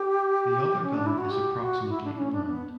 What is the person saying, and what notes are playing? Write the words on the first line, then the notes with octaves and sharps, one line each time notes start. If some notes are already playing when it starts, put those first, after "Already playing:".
The other gun is approximately inland.
Already playing: G4
C#4
D4
E4
F#4
G4
F#4
E4
D4
D4
C#4
D4
B3